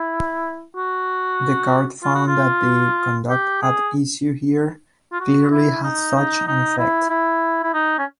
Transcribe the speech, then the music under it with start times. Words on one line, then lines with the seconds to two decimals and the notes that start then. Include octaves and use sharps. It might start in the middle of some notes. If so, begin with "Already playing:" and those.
The Court found that the conduct at issue here clearly had such an effect.
Already playing: E4
0.76 F#4
2.03 F4
2.15 F#4
2.27 F4
3.30 G4
3.62 G#4
5.12 F4
5.20 F#4
5.51 E4
5.83 D#4
6.16 D#4
6.47 D#4
6.78 E4
7.10 E4
7.63 E4
7.74 D#4
7.99 C#4